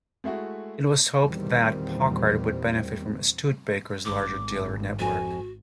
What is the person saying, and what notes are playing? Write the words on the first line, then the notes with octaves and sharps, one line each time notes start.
It was hoped that Packard would benefit from Studebaker's larger dealer network.
G#3 A3 E4 F#4
E2 A#2 D#3 G3 C4
G#1 D6
F2 F#4 G#5